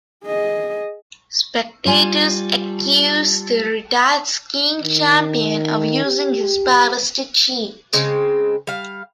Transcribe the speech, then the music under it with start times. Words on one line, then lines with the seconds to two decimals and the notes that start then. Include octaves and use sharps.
Spectators accuse the retired skiing champion of using his powers to cheat.
0.25 G#4 D#5
1.86 G3 F4 G#5
4.83 D#3
6.05 G4
7.93 C#3 G#3 C4
8.67 G3 F5